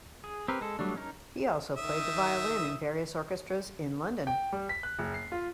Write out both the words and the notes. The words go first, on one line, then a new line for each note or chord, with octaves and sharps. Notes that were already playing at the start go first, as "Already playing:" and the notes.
He also played the violin in various orchestras in London.
G#4
C4 G4 A#4 B4
G#3 A4
F#3 G3 A3 D4
C#4 D#4 A#4
D#3 E5 D#6
G5
G3
B6
F#6
F#1
C7
F4